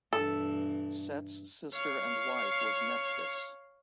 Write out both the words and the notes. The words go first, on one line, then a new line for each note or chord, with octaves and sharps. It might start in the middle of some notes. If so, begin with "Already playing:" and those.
Set's sister and wife was Nephthys.
G2 B2 E3 A4
C#5 F5